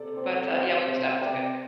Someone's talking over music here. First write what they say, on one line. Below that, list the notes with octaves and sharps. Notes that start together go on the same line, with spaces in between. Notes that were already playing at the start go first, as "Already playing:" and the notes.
But, uh, yeah, Wingstop is good.
Already playing: C3 A4 D5
C4
C4
C3 C5 E5
C3 D5 G5